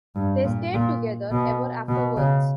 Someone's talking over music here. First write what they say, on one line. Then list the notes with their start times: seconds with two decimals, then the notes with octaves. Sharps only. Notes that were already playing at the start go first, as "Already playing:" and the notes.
They stayed together ever afterwards.
0.16 G2
0.44 A#2
0.74 A#2
1.32 B2
1.89 B2
2.17 C#3